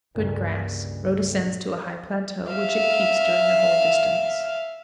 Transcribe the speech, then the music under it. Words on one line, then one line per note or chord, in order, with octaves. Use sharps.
Good grass. Road ascends to a high plateau, which it keeps during the whole distance.
C#2 G2 A#2
E5 F5